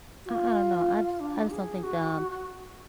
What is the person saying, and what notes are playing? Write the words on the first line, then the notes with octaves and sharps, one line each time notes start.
I I don't know, I just I just don't think that, um,
F#4
F4
D4
G#4
F#4